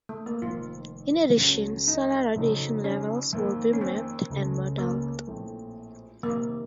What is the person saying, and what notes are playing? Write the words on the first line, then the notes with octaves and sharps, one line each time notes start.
In addition, solar radiation levels will be mapped and modeled.
A3
A#3
F1 F2 D#3 F4
C#2 C#3 F#3 A3 C#4
D#4
F2 C#3 F#3 A3 D#4
C#4
F2 D#3 A#3
C#4
C4
C#2 C#3 A3 C#4
A#3
A#1 A2 A3 C4
F2 C3 D#3 A#3